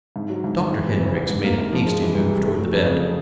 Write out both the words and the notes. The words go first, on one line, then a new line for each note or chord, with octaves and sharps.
Dr. Hendrix made a hasty move toward the bed.
G#2
F#3
G#2
D#3
E3
C3
F#1
E2
G#2
A#3
G#2
F3
G#3
E3
C2
C3
A3
F#3
F2
C#3